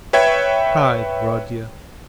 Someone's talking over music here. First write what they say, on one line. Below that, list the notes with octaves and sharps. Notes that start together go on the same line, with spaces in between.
"Pride, Rodya."
B4 C#5 E5 G5 G#6